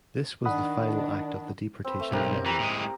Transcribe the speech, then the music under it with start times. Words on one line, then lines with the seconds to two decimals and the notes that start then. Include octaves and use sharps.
This was the final act of the deportation drama.
0.45 D#3 D4 F#5 B5 D#6
1.84 C4 B4
2.00 A3
2.12 B1 C4 G4 A#4
2.46 E3 G4 A#5
2.60 A2 G#3